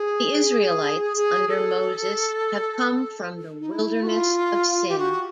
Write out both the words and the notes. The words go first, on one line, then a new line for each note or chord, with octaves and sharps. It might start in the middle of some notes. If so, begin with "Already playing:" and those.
The Israelites under Moses have come from the wilderness of Sin.
Already playing: G#4
G#4
A4
D#4
E4
F#4
F4
G4
F#4